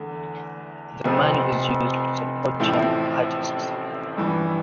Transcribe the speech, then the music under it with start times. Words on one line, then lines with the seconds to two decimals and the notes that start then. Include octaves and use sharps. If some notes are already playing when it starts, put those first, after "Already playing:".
The money is used to support young artists.
Already playing: E2 D3 A3
1.04 F1 F2 C3 F3 C4
2.60 A1 A2 F3 C4 E4
4.17 A1 G2 E3